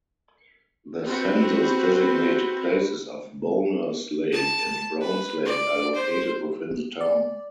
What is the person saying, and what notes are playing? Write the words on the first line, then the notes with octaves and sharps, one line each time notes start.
The census-designated places of Bohners Lake, and Browns Lake are located within the town.
C4 F#4 B4
A5
B4
D5
C5
D5